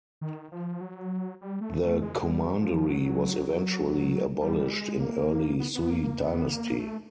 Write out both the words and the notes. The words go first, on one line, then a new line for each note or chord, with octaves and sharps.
The commandery was eventually abolished in early Sui dynasty.
D#3
F3
F#3
G3
A3
A3
G#3
G3
F3
F#3
G3
G#3
A#3
B3
B3
A#3
B3
A#3
A3